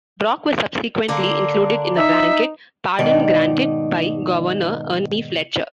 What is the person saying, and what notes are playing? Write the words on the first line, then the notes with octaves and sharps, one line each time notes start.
Brock was subsequently included in a blanket pardon granted by Governor Ernie Fletcher.
D3 A#3 D4
D#4 E5
G#2 B2 D#3 D#4 D5